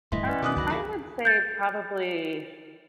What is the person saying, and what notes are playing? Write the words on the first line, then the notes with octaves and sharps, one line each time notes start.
Um, I would say probably
D1 G2 E3 A3 D#5 E5 C6
B4 D5 F#5
B2 D#3 G#5 D6 D#6 F#6
C#2 F#2 F#4 B5 A#6
E3 A3 A#3
G6 A6